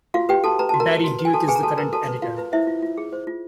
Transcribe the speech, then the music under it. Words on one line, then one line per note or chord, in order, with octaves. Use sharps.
Barry Duke is the current editor.
F4 F#4 F5
G4 B4 G5
F#4 A4 A5
B4 A#5
F#4 A5
A#4 A#5
B4
F#4
B4
G#5
F#4 A4 A5
G#4 B4 G#5
A#5
F#4 A4 A5
A#4 B4 A#5
F#4 A4 A5
B4
F4 F#4 F5
B4
E4 C5 E5
F4
F4
G#4
C5
F4